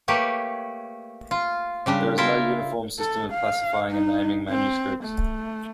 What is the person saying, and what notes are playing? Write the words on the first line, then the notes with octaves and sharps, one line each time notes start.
There is no uniform system of classifying and naming manuscripts.
A3 A#3 G4 B4 C#5
F4
C#3 G3 D4
E4 F4 A#4 E5
A4
F5
D#4
C4
A3